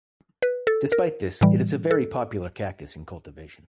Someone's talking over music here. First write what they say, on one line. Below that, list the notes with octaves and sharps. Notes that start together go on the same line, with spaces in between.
Despite this, it is a very popular cactus in cultivation.
B4
A4
A#4
A2 E3 G3
A4